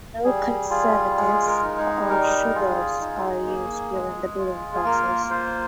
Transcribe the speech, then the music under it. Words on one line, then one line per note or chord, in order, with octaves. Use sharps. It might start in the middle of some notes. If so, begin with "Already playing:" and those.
No conservatives or sugars are used during the brewing process.
G3 G#4
F4 G#4
G#3 G#4
A#4
D#4
G#4
G3 A#4
F4 G#4
D#4
A#3
G#3
F4
G#4
A#3 A#4
F4 C5